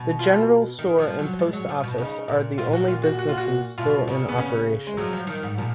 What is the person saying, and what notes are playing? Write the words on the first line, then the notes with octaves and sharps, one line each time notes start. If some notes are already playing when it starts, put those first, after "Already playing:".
The general store and post office are the only businesses still in operation.
Already playing: B2
F4
D#3
F3
F#3
G#3
F#3
F3
B2
C#3 D#4
A#2
A#2 F4
F#4
F4
F#4
F#4
F4
F#4
B2 F4
C#3
B3
C#3 C#4
G#3
F3 F#3
F3
D#3
G#2
A#2 F3